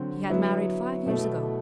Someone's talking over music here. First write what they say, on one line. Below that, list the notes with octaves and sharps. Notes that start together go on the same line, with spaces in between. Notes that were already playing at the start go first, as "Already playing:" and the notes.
He had married five years ago.
Already playing: D3 F#3 C4
F#3 B3 E4
B2 A3 E4